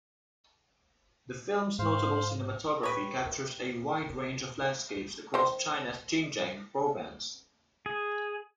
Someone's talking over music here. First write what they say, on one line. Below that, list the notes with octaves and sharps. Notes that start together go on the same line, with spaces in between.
The film's notable cinematography captures a wide range of landscapes across China's Xinjiang province.
G#2 C5 F5
G4 B4 C#5
D#3 C5
G#4